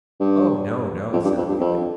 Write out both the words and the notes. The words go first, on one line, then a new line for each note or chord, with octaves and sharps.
'Oh no! no!' said Amelia.
G2
F2
G2
F2
G2
F2